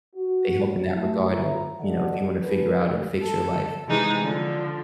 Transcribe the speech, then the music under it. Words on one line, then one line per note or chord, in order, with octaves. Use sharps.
they help in that regard of, you know, if you wanna figure out or fix your life.
F#4
G2 F#3
C3 A3 E4
A2 E4 F4 E5 A#5
F#4 G4 A4 D5 D#5 F#5
D4 G#4 A4 B4
A4
C3 E3 G#3 D#4 G#4
D3 F3